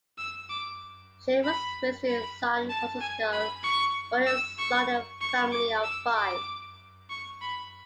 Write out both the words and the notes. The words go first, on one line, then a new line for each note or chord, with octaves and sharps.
Shelley was raised in San Francisco, the only son in a family of five.
E6
D6
B5
B5
A5
G#5
B5
C#6
E6
C#6
C#6
D6
E6
D6
C#6
B5